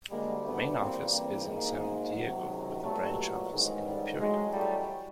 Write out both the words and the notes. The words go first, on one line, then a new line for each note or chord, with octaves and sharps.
The main office is in San Diego, with a branch office in Imperial.
D2 D3 G3 G#3 A#3
A3 B3
A1 G2 E3 G3 A#3 C4
A#3 C4
G#1 G#2 D#3 G#3 A#3
C#2 C3 D#3 F#3
G#3
B1 A#2 F#3 G3 A3
A1 G#2 D#3 G#3
G3
A1 A2 F#3 G#3
G3 A3